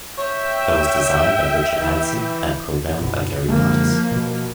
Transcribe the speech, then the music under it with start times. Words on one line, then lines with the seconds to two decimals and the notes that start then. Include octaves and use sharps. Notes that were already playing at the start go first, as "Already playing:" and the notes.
It was designed by Richard Hanson and programmed by Gary Partis.
0.18 C#5 E5 G5
1.80 E3
3.01 F#2 B2
3.48 F#2 D3 F3 G#3 A#3
4.11 B2